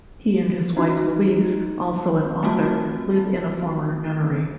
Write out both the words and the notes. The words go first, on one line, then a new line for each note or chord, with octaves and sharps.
He and his wife Louise, also an author, live in a former nunnery.
C#4 D#4 F#4
A3 C4 F4 F#4 A5